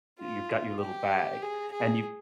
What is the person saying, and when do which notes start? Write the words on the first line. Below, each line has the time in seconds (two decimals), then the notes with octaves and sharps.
you've got your little bag, and you
0.19 F4
0.80 G4
1.42 G#4
1.72 G#4